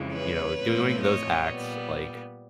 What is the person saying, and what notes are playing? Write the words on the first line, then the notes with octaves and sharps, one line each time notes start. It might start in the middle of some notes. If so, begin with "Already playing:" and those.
you know, doing those acts, like
Already playing: F2 C#3 E3 G#3
B4 C#5
A2 F3 A3 C4
C#5 D#5
A#2 G3 B3